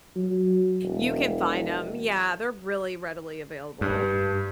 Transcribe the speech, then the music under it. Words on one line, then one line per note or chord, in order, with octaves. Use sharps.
You can find 'em yeah, they're really readily available.
F#3
E1
G2